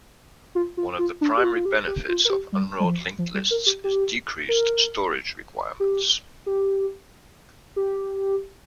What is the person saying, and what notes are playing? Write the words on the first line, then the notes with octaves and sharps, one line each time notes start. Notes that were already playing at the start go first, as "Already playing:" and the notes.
One of the primary benefits of unrolled linked lists is decreased storage requirements.
F4
F4
F4
D4
G4
F4
F4
G4
G4
F4
A#4
G4
G3
G3
F3
F3
G3
A#4
G4
G4
A#4
G4
G4
G4